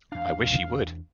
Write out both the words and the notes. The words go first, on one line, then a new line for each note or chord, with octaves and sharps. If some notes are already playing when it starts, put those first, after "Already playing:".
I wish he would!
E2 D4 F5